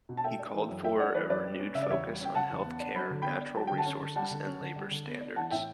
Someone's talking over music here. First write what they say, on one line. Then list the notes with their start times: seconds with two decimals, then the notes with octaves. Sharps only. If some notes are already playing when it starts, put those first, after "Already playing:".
He called for a renewed focus on health care, natural resources and labour standards.
0.09 B2
0.17 A5
0.24 A3 E5 G5
0.39 D4
0.54 E3
0.70 F#2
0.84 A3 E5 G5
0.99 D4 D5 F#5
1.14 E3 B4 D5
1.30 F#2 B4 D5
1.45 G3
1.59 C#4
1.75 C#3 E5
1.83 D5
1.90 E2 C#5 E5
2.05 G3
2.20 C#4
2.25 G5
2.35 C#3 F#5 A5
2.50 E2
2.65 B3
2.80 D4
2.96 F#3 B5
3.10 D3
3.22 B3 G5 B5
3.41 D4
3.55 F#3 A5
3.67 D3 G5
3.78 F#5 A5
3.86 C#4
4.00 D3
4.16 G3 F#5 A5
4.31 D3
4.46 C#4
4.61 D3
4.76 G3
4.91 D3
5.06 B3
5.21 D4
5.36 E3 F#5 A5
5.51 A2 E5 G5